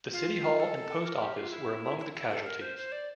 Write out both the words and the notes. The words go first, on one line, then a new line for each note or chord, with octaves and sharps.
The city hall and post office were among the casualties.
F4
A4
A#4
G4
F4
E4
E4
E4
A4
A#4
C5
C5
D5